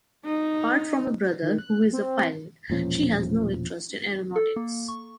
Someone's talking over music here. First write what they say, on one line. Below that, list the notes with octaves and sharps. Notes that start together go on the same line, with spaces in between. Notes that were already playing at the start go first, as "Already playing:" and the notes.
Apart from a brother who is a pilot, she has no interest in aeronautics.
D#4
D#3
F#6
C4
E1 A#2 F3 C#4
A4
A#3
C#6